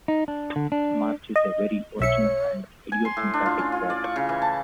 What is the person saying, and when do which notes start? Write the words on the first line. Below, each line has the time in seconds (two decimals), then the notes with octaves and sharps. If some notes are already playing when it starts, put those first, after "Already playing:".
March is a very original and idiosyncratic poet.
0.08 D#4
0.28 D4
0.56 D3
0.72 D4
1.36 D#5
2.00 B1 C#5 E5 C#7
2.92 G#5
3.05 C6
3.17 A2
3.34 D4
3.46 F4
3.59 C#4
3.72 F4
3.90 D5
4.04 C#6
4.16 C#3
4.29 E3
4.42 A5